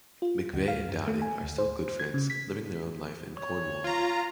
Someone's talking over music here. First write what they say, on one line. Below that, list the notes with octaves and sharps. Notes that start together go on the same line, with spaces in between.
McVay and Downing are still good friends living their own life in Cornwall.
F4
D2
F5
F#2
A3
G#5
D2
C5
G#6
C#3
B6
C#5
F4 A#5